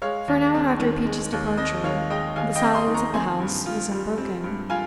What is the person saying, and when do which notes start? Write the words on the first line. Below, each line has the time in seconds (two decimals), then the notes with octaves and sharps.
For an hour after Peachey's departure, the silence of the house was unbroken.
0.02 G#3 C#5 F5
0.28 D#2
0.55 C4
0.80 D#3
1.06 G#3
1.32 D#2
1.57 C4 D#5
1.84 D#3 C#5 F5
2.10 G#3 D#5 G5
2.36 D#2 F5 G#5
2.55 D#5 G5
2.62 C4
2.75 C6 D#6
2.88 D#3
2.94 A#5 C#6
3.14 C4 G#5 C6
3.40 G2
3.66 F4
3.92 G3
4.18 C4
4.44 G2
4.70 F4 F5 G#5